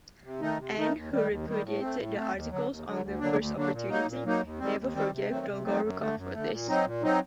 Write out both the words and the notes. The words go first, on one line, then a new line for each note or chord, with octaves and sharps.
Anne, who repudiated the "articles" on the first opportunity, never forgave Dolgorukov for this.
C3
D#3 A3 D#4
C3
D#3 A3 D#4
D#2
D#3 G3
D#2
D#3 G3
A2
A3 C4
A2
A3 C4
D#2
D3 F#3
D#2
D3 F#3
D2
D3 F#3 A#3 D4
D2
D3 F#3 A#3 D4
A#2
F#3 A#3 D#4
A#2
F#3 A#3 D#4
D#2
D#3 G3 C4
D#2
D#3 G3 C4
C3
D#3 F#3 A3 C4
C3
D#3 F#3 A3 C4
F#2
D3 A3
F#2
D3 A3
A#2
F#3 C4 D#4
A#2
F#3 C4 D#4